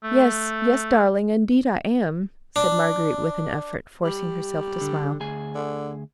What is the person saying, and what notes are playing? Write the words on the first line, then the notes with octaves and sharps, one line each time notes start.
"Yes, yes, darling--indeed I am," said Marguerite with an effort, forcing herself to smile.
A3
D4
G3
D3
D2 G#4 G#5
D3